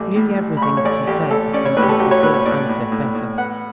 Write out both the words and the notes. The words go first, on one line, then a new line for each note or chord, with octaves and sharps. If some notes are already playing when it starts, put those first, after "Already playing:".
Nearly everything that he says has been said before and said better.
Already playing: A1 G3 D6
A2
G3
B5
A1 C#6
C#5
A1 D5
A1 G4
A1 A4
C#4 D5
C#5
A2 B4
G4
A4
F#3 G4
C#5
A2 B4
C#5
A2 D5
A2
A2
A2
B3 F#5